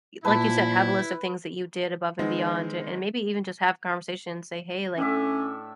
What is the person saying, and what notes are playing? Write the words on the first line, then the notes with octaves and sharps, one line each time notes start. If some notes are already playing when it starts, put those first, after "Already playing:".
y like, you said, have a list of things that you did above and beyond, and maybe even just have conversations, say, "Hey, like,
A#2 A#3 E4 B4 C5 A5
D#3 G#3 B3 C4 D#4
A2 C#4 D4 E5